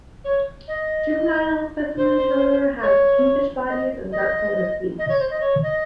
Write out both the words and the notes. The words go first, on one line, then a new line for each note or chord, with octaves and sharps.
Juvenile specimens, however, have pinkish bodies and dark-colored feet.
C#5
D#5
C5
C#5
D#5
D#5
D#5
C#5
C5
D#5
C#5
D#5